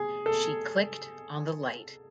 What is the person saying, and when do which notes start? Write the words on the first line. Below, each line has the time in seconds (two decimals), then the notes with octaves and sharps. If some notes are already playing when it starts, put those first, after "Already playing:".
She clicked on the light.
Already playing: G#4
0.26 A4